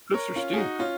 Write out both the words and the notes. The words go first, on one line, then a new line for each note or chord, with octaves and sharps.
cliffs are steep.
A#4 C#5
C#4 F4
G#4
D#4 F#4
C#4 F4